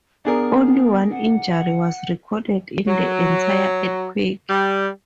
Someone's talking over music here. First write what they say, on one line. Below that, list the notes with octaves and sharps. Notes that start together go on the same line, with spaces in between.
Only one injury was recorded in the entire earthquake.
B3 D4 G#4 A#4
F#5
F#3
G3